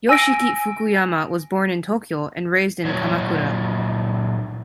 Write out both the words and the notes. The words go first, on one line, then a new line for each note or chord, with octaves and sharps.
Yoshiki Fukuyama was born in Tokyo and raised in Kamakura.
G#5 E6 A#6 D7
A#2 F#3 E4 C5 C#5